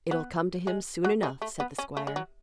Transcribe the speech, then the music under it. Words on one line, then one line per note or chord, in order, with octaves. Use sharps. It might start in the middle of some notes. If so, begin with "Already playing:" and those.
"It'll come to him soon enough," said the squire.
B3
G#3
F#3
G#3
A3
B3
C#4
A3
G#3
F#3